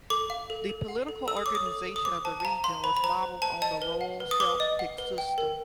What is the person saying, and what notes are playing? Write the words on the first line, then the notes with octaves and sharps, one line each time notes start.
The political organization of the region was modeled on the royal Celtic system.
A4 D6
F5
A4
A4
F#5
A4
A4 E6
D#6
C#5 D6
D#6
A4
A4
D#6
C5 D6
C5 A5
A5
F5 A#5
F5 C6
C5 B5
B5
C5 A#5
C5
C5 A5
D#5 A5
B4
F#5
B4
D#6
B4 D6
D#5
F#5
B4
G5
A#4